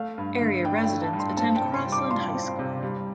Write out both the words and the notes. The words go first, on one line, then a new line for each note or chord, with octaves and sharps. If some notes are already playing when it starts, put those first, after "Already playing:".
Area residents attend Crossland High School.
Already playing: A3 F5
G2
D3
D4 G5
G5
A3
A5
G2
C6
C4 A5
G5
C3
C6
G3
D6
F4 C6
C4
C3
G3